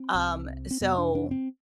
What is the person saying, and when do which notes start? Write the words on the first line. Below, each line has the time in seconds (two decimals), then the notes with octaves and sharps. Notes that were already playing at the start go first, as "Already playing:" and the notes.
um, so,
Already playing: C4
0.14 C2 C3
0.71 C4
0.81 F2 C3 B3
0.98 D4
1.15 D4
1.31 C4